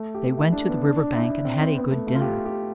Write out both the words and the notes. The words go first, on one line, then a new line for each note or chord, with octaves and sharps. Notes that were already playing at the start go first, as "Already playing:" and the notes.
They went to the river bank and had a good dinner.
Already playing: A3
G4
E4
D4
B3
D4
D4
E4
D4
C4
C4
B3
A3
A3
F4
G4
G4